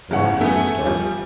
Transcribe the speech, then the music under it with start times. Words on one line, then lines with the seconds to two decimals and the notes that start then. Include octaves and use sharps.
Valentine started.
0.11 E2 C#3 F#5 C#6
0.41 A3 B3 G#5
0.86 F3 G3